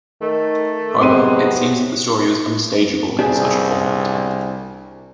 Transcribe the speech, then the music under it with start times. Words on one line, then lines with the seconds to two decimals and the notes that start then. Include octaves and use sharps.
However, it seems that the story was "unstageable" in such a format.
0.21 D#3 A3
1.00 C3 F#3 G#3 B3 C4 C6 D#7
3.19 C2 D4 G4 G#4